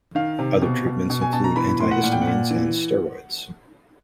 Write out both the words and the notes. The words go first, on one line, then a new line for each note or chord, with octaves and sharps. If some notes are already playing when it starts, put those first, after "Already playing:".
Other treatments include antihistamines and steroids.
D#3 F5
C3
B2
B2
B2
G#5
B2 A5
A#5
E3 B5
B5
A2 C6
F#5
A#2 F#5
G5
F#5
A#2
E3